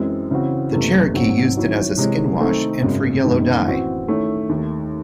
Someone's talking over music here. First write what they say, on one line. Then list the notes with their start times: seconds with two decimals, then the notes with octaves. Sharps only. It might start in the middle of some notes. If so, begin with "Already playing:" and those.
The Cherokee used it as a skin wash and for yellow dye.
Already playing: F#2 E3 G#3 C4
0.31 C#3 E3 C4 F#4
0.72 F#1 E2 C3 E3 A3
1.14 G#1 G#2 F#3 C4 F#4
1.56 D#3 F#3 C#4 E4
1.98 C3 E3 G#3 C#4
2.40 D#3 A3 C4 D#4 A4
2.82 G#1 F#2 C#3 G#3
3.24 F#1 F#2 D#3 G#3
3.66 A2 E3 C4 F#4
4.08 D#3 A3 C#4 E4
4.49 D#2 D#3 A3